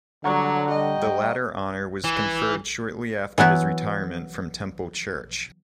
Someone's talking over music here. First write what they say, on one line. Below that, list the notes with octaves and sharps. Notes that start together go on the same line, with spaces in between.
The latter honour was conferred shortly after his retirement from Temple Church.
D3 F#3 G3 C#5 D5 F#5 A#5 C#6
G3 D#5 G5
E3
E3 F#3 B3 E4